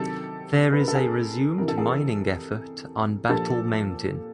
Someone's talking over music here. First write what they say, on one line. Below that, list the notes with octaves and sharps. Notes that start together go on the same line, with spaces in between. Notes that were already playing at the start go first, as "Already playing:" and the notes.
There is a resumed mining effort on Battle Mountain.
Already playing: C3 D#3 F#3 G4 A4
B4
A#4
A4
G#4 A#4
C3 E3 A#4
A4
G#4 A#4
A#2 F3 G4 A4